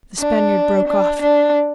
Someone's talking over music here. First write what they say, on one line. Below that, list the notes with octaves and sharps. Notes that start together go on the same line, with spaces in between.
The Spaniard broke off.
D4
D4
D4